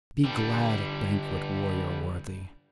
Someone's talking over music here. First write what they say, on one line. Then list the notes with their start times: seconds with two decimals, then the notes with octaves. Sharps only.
Be glad at banquet, warrior worthy!
0.25 D3 G3